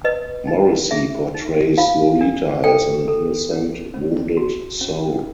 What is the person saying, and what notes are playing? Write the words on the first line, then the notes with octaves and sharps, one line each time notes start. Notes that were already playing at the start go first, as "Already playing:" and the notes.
Morrissey portrays Lolita as an innocent, wounded soul.
B4 D#5
D#4
G#4 E5
D#4
F4 F5
D4
A4 G5
A4
C#4
C#4
F#4
C#4